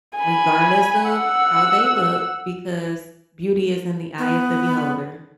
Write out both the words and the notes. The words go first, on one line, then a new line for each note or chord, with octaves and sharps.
Regardless of how they look because beauty is in the eye of the beholder,
G#5 B5
F#5 E6
B3